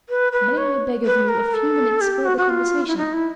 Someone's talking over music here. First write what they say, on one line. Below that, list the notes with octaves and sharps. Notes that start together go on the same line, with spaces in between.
May I beg of you a few minutes' further conversation?
B4
B4
C#5
B4
A#4
A4
G4
F#4
F#4
F4
E4
D#4
E4